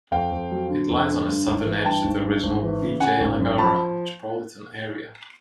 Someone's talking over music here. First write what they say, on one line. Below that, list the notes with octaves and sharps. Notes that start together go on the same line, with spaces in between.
It lies on the southern edge of the original Vijayanagara metropolitan area.
F2 F5 G5
F2
F#3
D3
F2
D3
G2
G#1
E3
G2 G5 A5
G#1
G2
G#1
E3
C#3
C#3 F#5 G#5
G#1
F#2
F3 A5 B5